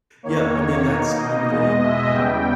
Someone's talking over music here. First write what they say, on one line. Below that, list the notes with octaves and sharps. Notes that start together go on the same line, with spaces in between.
Yeah, I mean, that's one thing, um,
E2 D#3 A#3 C#5
B2 A#3 D#4
D#5
E2 B2 G#3
E5
E2 C#3 G3 B3 G5